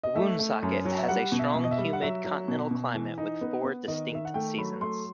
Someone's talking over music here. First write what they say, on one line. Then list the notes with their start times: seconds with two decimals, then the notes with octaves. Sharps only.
Woonsocket has a strong humid continental climate with four distinct-seasons.
0.03 D#5
0.15 A3 E5
0.39 A3
0.62 F#2
0.85 F#3
0.98 E5
1.08 G3 F#5
1.32 B2
1.39 E5
1.55 B2
1.64 D#5
1.71 E5
1.78 G3
1.93 F#5
2.02 F#3 E5
2.25 F#3
2.48 B2
2.71 B2
2.95 E3
3.18 D#4
3.41 B3
3.64 B3
3.88 D#3 D#5
4.12 D#3 E5
4.25 F#5
4.34 A3 G5
4.58 F#3 B5
4.81 A3 C6